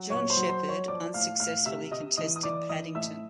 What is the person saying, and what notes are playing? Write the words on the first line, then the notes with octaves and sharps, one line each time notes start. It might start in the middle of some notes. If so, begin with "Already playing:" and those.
John Shepherd unsuccessfully contested Paddington.
Already playing: F#3
A#2 C#5 C#6
C5 C6
F#3
C5 C6
F#3
C#5 C#6
F3 D5 D6
A2 F5 F6
A2 F5 F6
C3 E5 E6
C3 D#5 D#6
E3 D#5 D#6
D#6
E3 D5 D6
E3 D#5 D#6
A2 E5 E6